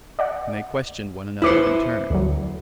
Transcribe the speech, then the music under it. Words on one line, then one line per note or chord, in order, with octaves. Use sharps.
And they questioned one another in turn.
D5 D#5 F#5
D#2 E4 B4 C5 D6 C#7
D2 D3 F#3